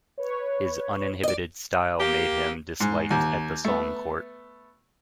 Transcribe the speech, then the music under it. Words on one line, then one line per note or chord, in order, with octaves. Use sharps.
His uninhibited style made him disliked at the Song court.
B4 C#5
D5 D#5
A#3 G4
G#2
D#2
A3 B3